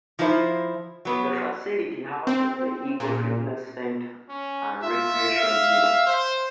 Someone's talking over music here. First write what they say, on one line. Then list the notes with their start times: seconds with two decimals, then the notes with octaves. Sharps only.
The facility houses the Eagle Fitness Center and Recreation Gym.
0.19 F3 D#4 E4 C5
1.05 F#3 B3
2.27 C4
3.00 A#2
4.29 C#4
4.84 F4 E5
5.37 F5
6.07 C5